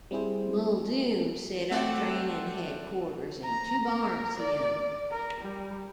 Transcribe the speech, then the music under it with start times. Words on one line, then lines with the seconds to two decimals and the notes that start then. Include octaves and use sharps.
Muldoon set up training headquarters in two barns he owned.
0.11 G3 C4 E4 G#4 C5
1.71 A3 C4 A4 D5 F#5
3.44 A#5
3.86 A#4
4.40 D5
5.11 A#4
5.41 G3